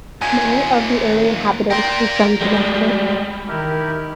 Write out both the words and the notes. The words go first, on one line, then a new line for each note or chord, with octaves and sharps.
Many of the early inhabitants were from Connecticut.
D#2 A#2 G#5
A#4 D5 G5 C6
G3 G#3
D#3 E4 G4 A#4